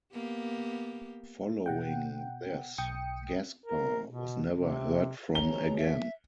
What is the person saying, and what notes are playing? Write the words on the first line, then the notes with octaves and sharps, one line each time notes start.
Following this, Gaspar was never heard from again.
A#3 B3 G4
B2 F#5 G5
B1 G5 D#6 C#7
A#4
B2
C3
B2 G#4 C#5 A#5 G7
E5